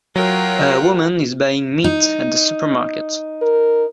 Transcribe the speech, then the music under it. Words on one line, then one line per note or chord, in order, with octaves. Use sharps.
A woman is buying meat at a supermarket.
F#3 F4 A#4 F#5 G5
D#4
A#4